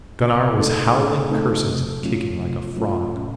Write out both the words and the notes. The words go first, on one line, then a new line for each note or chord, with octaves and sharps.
Gunnar was howling curses and kicking like a frog.
C#3
A3 C4 D#4 A4
C#3
A3 C4 D#4 A4
C3
F#3 A3 C#4 F4
C3
F#3 A3 C#4 F4
A2